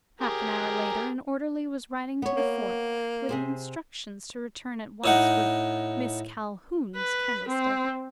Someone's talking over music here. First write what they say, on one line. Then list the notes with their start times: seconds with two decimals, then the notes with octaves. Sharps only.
Half an hour later an orderly was riding to the fort with instructions to return at once with Miss Calhoun's candlestick.
0.21 G4 G#4 A#4
2.22 B3 C#5
2.37 A#3
3.29 C3 G#4 C5
5.04 A2 D#4 F#5
6.96 B4
7.48 C4